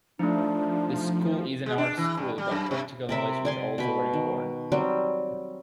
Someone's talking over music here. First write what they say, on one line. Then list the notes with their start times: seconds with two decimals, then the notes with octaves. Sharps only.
The school is an art school but practical knowledge is also very important.
0.19 F3 A3 D4 D#4
1.66 G#3
1.78 D4
1.97 E3
2.17 G2
2.38 G3
2.51 F#2
2.71 C3
3.09 C3 A#4 E5 B5
3.45 D5 G#5 C6
3.78 B2 B5
4.13 D#3
4.72 F#3 G3 C4